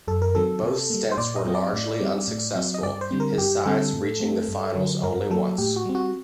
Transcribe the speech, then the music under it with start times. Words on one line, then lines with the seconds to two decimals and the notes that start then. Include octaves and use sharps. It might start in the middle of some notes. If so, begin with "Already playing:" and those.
Both stints were largely unsuccessful, his sides reaching the finals only once.
0.08 F#2 A4
0.22 A#4
0.35 D#3 F#3 C4 A4
0.63 C3
0.90 G3 A#3
1.12 C5
1.17 A#2 D5
1.36 D#5
1.45 F#3 C4
1.55 D5
1.73 A2
2.00 G3 C4
2.28 A2
2.55 F#3 C4
2.74 D#5
2.83 G2 D5
3.01 C5
3.11 D3 G3 C4
3.20 A#4
3.38 G2 G4
3.65 D3 G3 C4 A4
3.93 A2
4.20 A3 C4
4.48 G2
4.75 D3 F#3
5.03 G2 A#4
5.30 F#3 A#3 A4
5.58 A2 G4
5.76 F#4
5.85 G3 C4
5.95 F#4